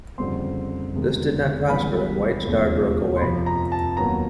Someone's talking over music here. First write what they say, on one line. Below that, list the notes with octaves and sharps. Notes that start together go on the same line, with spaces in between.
This did not prosper and White Star broke away.
F#1 F2 D3 G3 C4 C6
E2 C3 D#3 G#3
C#2 C#3 E3 G3 B3 B5
E1 D#2 C#3 F3 A3
C6
F2 C3 F3 B5
A#5
A5
D#2 D#3 F#3 B3 A#5